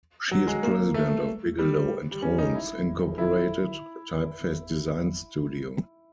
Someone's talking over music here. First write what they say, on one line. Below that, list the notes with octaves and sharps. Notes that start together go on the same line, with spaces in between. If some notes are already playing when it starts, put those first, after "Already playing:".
She is President of Bigelow and Holmes Incorporated a typeface design studio.
F#3
G#3
A#3
A3
G3
G3
C#4
D#4
E4
E4